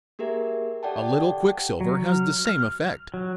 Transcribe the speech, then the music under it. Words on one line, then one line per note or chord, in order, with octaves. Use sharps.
A little quicksilver has the same effect.
A#3 G4 G#4 A#4 E5
G4 A4 D5 F#5 G5 A5
F#3
F6
F6
F#3